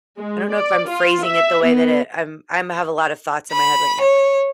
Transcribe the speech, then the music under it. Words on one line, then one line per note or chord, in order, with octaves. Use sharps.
I don't know if I'm phrasing it the way that it I'm I'm have a lot of thoughts in my head right now,
G#3
D5
F4
E5
B3
B5
C#5